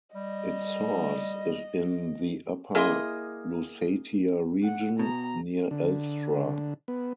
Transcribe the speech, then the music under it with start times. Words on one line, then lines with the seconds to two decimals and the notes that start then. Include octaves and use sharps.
Its source is in the Upper Lusatia region, near Elstra.
0.15 G3 D#5
2.75 A#3 E4 G#4 D#5 C6
4.63 F#5
4.99 B2 A#5
5.71 D3
6.88 B3